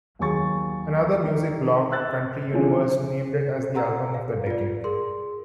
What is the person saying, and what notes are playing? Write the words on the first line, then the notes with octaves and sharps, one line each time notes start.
Another music blog, Country Universe, named it as the album of the decade.
D#2 F#3 G#4 C#6 A6
D#3
E5 E6 F#6 A6
D3 E3 F3 C#4 G#4 C#5
G4 F#5 A#5 E6
F5
F4 D5
G#4 A#4 C6